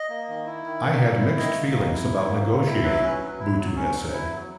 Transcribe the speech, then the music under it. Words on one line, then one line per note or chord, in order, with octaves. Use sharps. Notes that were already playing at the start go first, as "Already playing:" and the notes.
"I had mixed feelings about negotiating," Buttu has said.
Already playing: D#5
A#3
D#3
E4
D#3
A#3
D#3
E4
D#3 D#5
A#3
D#3
E4
D#3
A#3
D#3
E4
F#3 B4
C#4
F#3
E4
F#3
C#4
F#3
E4
F#3